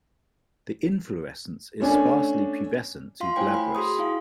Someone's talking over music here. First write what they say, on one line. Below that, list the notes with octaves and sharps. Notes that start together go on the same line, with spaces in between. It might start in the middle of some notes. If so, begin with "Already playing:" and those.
The inflorescence is sparsely pubescent to glabrous.
A3 C#4 D4 G#5
F4 F5 C6
A3 E4 C5 C#5 G5 G#5
G5 B5
F#4 G#4 C6 D#6
E4 F5